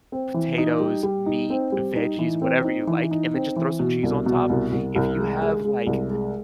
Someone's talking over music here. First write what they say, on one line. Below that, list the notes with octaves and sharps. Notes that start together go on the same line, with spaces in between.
potatoes, meat, veggies, whatever you like, and then just throw some cheese on top if you have, like
C4
E3
D#4
G3
G3
D#4
C4
G3
D#4
E3
C4
D#4
E3
D#4
C4
E3
B2
C2
B2
C2
C2
C2
G#3
G#3
G#3
C2
G#3